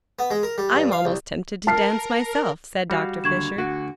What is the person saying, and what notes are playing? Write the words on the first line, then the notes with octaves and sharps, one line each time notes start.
"I'm almost tempted to dance myself," said Dr. Fisher.
B3
G#3
A#4
G3
G2
F5
C2
A#4 A5 F6 C7
G3 F#4 F5
D#2 D3 C#6 G#6 E7
D2 D3 F#4